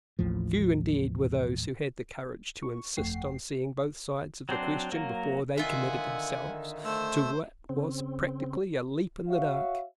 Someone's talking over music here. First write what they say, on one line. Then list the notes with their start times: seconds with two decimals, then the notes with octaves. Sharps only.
Few indeed were those who had the courage to insist on seeing both sides of the question before they committed themselves to what was practically a leap in the dark.
0.19 A1 D#2 A2 F3
2.63 C#6
2.97 G1 F2 A3 F#5 G5 C7
4.49 F#3 C4 D4 C5
4.92 F#3 A#3
5.58 D3 D#3 F4 E5 F#5 G#5
6.85 A3 C5 E6
7.69 C#3 C4
9.28 F#4 C#5 E5 F5